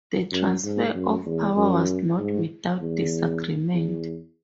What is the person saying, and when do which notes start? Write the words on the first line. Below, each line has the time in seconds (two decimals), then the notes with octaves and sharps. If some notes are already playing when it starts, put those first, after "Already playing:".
The transfer of power was not without disagreement.
0.32 F#2
0.64 G#2
0.95 F#2
1.26 E2
1.56 F#2
2.18 G#2
2.80 E2
3.73 E2